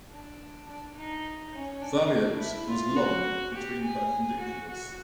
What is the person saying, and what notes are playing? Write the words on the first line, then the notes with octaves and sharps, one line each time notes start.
"Valiant" was long between perpendiculars.
D4
D4
D#4
C#4
D4
E4
F4
F#4
G4
G#4
F#4
F#4